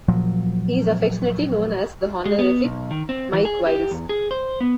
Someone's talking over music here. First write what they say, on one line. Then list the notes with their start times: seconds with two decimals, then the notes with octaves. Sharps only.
He is affectionately known as 'The Honorific' Mike Wilds.
0.08 A#2 F3 F#3
2.26 G#3
2.39 B3
2.64 B1
2.91 D#3
3.09 C4
3.33 E3
3.45 G#4
3.67 G4
3.91 E2
4.09 G#4
4.31 C5
4.61 B3